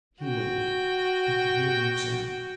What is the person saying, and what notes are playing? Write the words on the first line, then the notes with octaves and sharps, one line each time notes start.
He waited, but could hear no sound.
F#4 G5